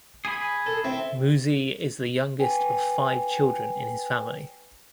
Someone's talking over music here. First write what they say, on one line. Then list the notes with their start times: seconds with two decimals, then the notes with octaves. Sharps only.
Muzi is the youngest of five children in his family.
0.25 G#4 G#5 B5
0.66 A4
0.84 C4 E4
2.39 B4 G5 G#5